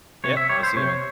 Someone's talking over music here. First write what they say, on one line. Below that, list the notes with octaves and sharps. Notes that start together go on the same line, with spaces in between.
Yeah, I'll see you, man.
C3 C#5
E5
G3 C#5
C5
C3 C#5